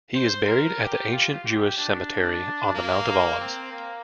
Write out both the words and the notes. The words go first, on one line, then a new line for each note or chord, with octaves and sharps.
He is buried at the ancient Jewish cemetery on the Mount of Olives.
C5
A#4
G4
F4
G4
D4
A#3
C4
A#3